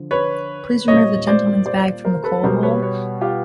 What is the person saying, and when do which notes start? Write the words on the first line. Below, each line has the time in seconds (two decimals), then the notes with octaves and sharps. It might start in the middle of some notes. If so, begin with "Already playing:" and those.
Please remove the gentleman's bag from the coal hole.
Already playing: D3 F3
0.11 B4 C#5
0.88 A#2 G3 C4 C#5 D#5
1.27 C5 D5
1.66 C5 D5
2.05 A#4 C5
2.24 A4 B4
2.43 B2 G3 B3 A#4 C5
2.63 B4 C#5
2.82 B4 C#5
3.21 F4 G4